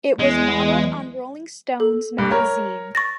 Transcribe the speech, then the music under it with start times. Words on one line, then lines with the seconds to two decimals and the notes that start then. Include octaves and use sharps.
It was modeled on "Rolling Stones" magazine.
0.19 E2 G#3
1.80 A4
2.18 G2
2.31 A#4 C#5
2.95 C#6 A6 A#6